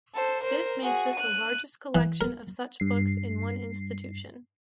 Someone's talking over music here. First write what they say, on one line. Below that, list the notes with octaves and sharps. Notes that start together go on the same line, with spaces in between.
This makes it the largest collection of such books in one institution.
A4 C5
A#4 C5
F#4 G#4
F#6 D#7
E3
A#4
G2 C7